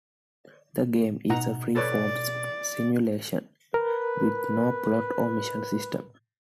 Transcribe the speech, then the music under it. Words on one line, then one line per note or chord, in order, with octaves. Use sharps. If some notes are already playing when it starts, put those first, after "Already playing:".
The game is a free-form simulation, with no plot or mission system.
B2 D#4 F#5 A#5
A4 B4 C#5 D5
A#4 B4